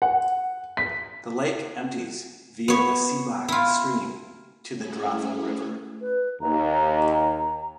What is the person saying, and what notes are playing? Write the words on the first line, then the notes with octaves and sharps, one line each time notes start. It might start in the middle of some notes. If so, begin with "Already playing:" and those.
The lake empties via the Seebach stream to the Drava river.
F#5
B6
B3 C#5
E4 F4
A3 C#4 E4 G#4
B4
D#2 A#5